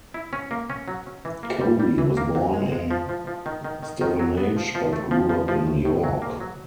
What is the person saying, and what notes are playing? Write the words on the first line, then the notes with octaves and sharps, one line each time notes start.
Coley was born in Stevenage but grew up in York.
E4
C#4
A#3
C#4
F#3
C#4
E3
A#3
G3
G3
E3
A#3
C3
G#3
G#3
F3
F3
F3
D#3
D#3
D#3
D#3
F#3
B3
F3
F3
A3
F3
F3
F3
A2
A2
F#3
A#3
F#3